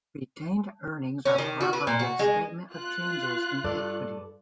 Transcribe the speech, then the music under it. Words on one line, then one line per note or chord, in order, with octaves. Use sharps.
Retained Earnings are part of the "Statement of Changes in Equity".
C#4
D#3
F#4
B4
A#2
F#4
G#3
F4 F#6
G2 A4 D5